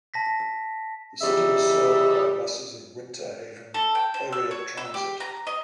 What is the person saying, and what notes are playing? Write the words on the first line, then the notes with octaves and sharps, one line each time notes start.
The city is served by buses of Winter Haven Area Transit.
A5 A#6 B6
E2 C#3 G3 D#5 E5
A4
G5
C5
E6
C#5
E6
G4
A#5
D#5